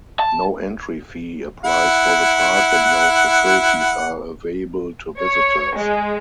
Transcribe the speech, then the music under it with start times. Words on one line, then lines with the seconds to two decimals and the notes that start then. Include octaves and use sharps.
No entry fee applies for the park and no facilities are available to visitors.
0.20 A5
1.65 E4 F#5
5.19 C#5
5.74 G#3